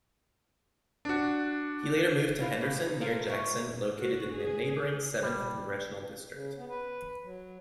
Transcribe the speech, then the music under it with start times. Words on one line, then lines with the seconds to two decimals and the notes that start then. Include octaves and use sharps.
He later moved to Henderson, near Jackson, located in the neighboring Seventh Congressional District.
1.05 D4 F#4
2.40 E4 F4 B4 E5 F5
2.61 G2 B2
2.86 D#4
3.01 F4 A4 A#4 C5 F5
3.28 F4 A#4 C#5 D#5 E5
3.44 G#2
3.98 F#4
4.36 G#4
5.23 G3
6.31 C#3
6.57 B3
6.69 B4
7.23 F#3